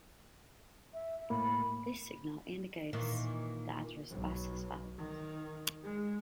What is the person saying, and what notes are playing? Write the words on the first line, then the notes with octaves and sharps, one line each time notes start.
This signal indicates the address bus is valid.
E5
A2 A#3 B5
A#2 D#3 E3
B1
D#3
G#3